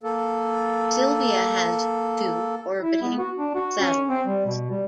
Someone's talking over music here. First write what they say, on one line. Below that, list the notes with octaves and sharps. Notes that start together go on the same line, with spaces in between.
Sylvia has two orbiting satellites.
A#3 A4
E4
B3
F#4
D4
F#4
C#4
C4
G3
B2
G3